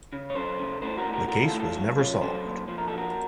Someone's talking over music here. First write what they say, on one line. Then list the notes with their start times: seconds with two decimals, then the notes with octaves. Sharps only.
The case was never solved.
0.13 C#3
0.30 C#5
0.35 F#2 A4 C5
0.59 C#3
0.82 A2 A4 C5
0.97 F#4 A#4
1.05 A2
1.13 F#4 A#4
1.28 A2 F#4 A#4
1.44 F4 A4
1.52 A2
1.59 F4 A4
1.75 F#3
1.98 F#3 C#4 F4
2.21 F#3 A4 C5
2.45 A#2
2.68 F3 C5
2.78 A#4
2.88 A#2 A4
2.97 F#4 A#4